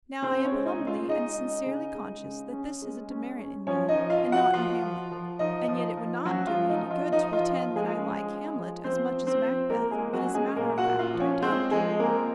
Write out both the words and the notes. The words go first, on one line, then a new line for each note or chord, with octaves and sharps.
Now I am humbly and sincerely conscious that this is a demerit in me and not in Hamlet; and yet it would not do me any good to pretend that I like Hamlet as much as Macbeth when, as a matter of fact, I don't.
C#3 C4 C5
C#4 C#5
G#3
D#4 D#5
C#3
F4 F5
G#3 D#4 D#5
C#4
C#3
G#3
C#3
C#4
G#3
C#4
C#4
F3 C#4 C#5
D#4 D#5
F3
F4 F5
F3
F#4 F#5
F3 F4 F5
F3
F3
F3 D#4 D#5
F3
F3
F#3 C#4 F#4
F4
F3
D#4
F3
F4
F3 D#4 D#5
F4
F3
F4
F3
G#3 G#4
C#4
C#4
F3
F3 C4 C5
F3
C4 C5
F3
A#3 A#4
G#3 G#4
A#3
F#3 F#4
C#4
G#3 G#4
A#2 A#3 A#4
F#4 F#5
A#2
F4 F5
F3
C#4 C#5
G#3 C4 C5
F3 G#3 G#4
A#3 C4 A#4